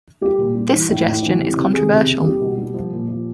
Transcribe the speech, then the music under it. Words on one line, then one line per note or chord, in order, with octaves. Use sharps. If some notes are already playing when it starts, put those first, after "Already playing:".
This suggestion is controversial.
G3 G4
A#2
G3
E3
A2
A2
E3
C3
C3
D#3 G#4
C3
C3
G3 G4
B2
G3
F3
A#2
F3